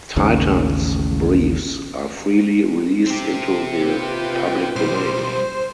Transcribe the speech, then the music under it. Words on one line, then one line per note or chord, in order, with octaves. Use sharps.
Titans Briefs are freely released into the public domain.
A1 D#2 A2 C#3
C4 G4
F4 B4 G5
B1 G3 C5